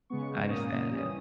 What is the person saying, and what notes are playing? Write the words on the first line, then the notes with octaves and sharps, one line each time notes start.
I understand that.
C#3 G#3 B3 C#6
A#2 A#3 C#4 D#6
E3 G3 C#4